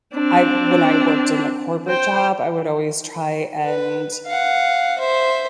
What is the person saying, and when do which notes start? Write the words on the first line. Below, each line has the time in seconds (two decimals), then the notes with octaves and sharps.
I when I worked in a corporate job, I would always try and
0.14 C4 D4
1.88 C5 G5
3.63 B4
4.26 F5 F#5
4.99 C5 E5